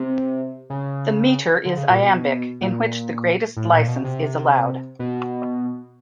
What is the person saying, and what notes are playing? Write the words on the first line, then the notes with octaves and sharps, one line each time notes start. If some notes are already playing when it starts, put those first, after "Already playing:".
The metre is iambic, in which the greatest licence is allowed.
Already playing: C3
C#3
D3
C#3
A#2
B2
A#2
A2
A#2
B2
C3
B2